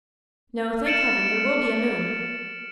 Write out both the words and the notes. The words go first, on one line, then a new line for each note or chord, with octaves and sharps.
No, thank heaven, there will be a moon.
F6 A6 C#7 D7 E7 F#7